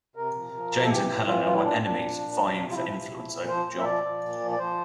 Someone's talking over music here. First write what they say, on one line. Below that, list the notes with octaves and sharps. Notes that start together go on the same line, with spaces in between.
James and Helena were enemies, vying for influence over John.
C3 A#4
F3
F3
C3
A4
E3 G4
A2
E3 F4
A2 F4
E4
A#2 D4
A#2 D4
F3
A#2
F3
C3
F4
F3 E4
C3
F3
A#2
F3 C5
A#2
E5
F3 D5
F3
A#2
F3
D5
F3 C5